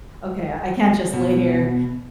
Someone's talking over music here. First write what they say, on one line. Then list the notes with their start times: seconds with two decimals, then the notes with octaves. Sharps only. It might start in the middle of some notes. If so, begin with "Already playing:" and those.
ok, I can't just lay here,"
1.14 B2